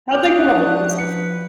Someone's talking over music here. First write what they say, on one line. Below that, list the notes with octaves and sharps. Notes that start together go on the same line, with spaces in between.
How did they come up with this?"
C#4 F#4 G4 D6 D#6 F#6 G6
F3 D4
B4 C#7